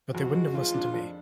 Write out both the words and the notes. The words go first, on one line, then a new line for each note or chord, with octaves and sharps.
But they wouldn’t have listened to me.
F2 F#4
G#3
F3 F4
D4
F2